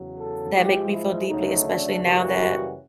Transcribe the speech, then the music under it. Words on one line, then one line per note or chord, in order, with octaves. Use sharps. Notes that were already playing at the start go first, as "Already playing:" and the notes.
that make me feel deeply, especially now that,
Already playing: E2 C#3 F#3
A4
G#2 F3 G#3 G4
E4
D2 C#3 F#3 A3 D#4
D4
F#2 C#3 E3 G3 A#3 F#4